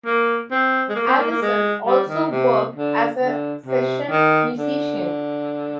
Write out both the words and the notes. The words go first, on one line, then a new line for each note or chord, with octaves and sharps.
Allison also worked as a session musician.
A#3
C4
G#3
A#3
C4
A#3
A#3
G#3
G3
D#3
C3
D3
D3
C3
D#3
D3